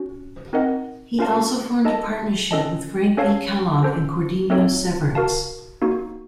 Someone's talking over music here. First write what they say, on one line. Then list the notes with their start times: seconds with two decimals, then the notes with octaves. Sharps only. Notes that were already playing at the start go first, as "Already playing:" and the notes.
He also formed a partnership with Frank B. Kellogg and Cordenio Severance.
Already playing: C#4 F#4
0.53 C4 D#4 A#4 D#5 F#5
1.19 C#4 F4 A#4 F5 A5
1.85 D#4 A4 D#5 A5
2.51 C#4 A4 D#5 A5
3.17 C#4 A4 C#5 F5 A5
3.83 C#4 A4 C5
4.50 A3 C4 D#4 A4 C#5
5.15 F#4 A#4 F5 A5
5.82 A#3 D#4 F#4